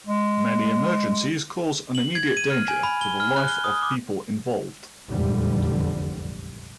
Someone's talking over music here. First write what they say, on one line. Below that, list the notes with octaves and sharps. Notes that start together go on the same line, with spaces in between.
Many emergencies cause an immediate danger to the life of people involved.
G#3
F#7
G#6
D#7
F6
G#5
B5
G7
F6
F#6
G7
D#6
D6
F1 A#1 E2 G#2 D3 G3